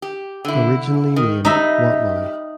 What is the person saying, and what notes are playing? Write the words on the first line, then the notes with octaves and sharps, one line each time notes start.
Originally named "Wat Noi".
G4
D3 E4
D#3
G3 D#4 E5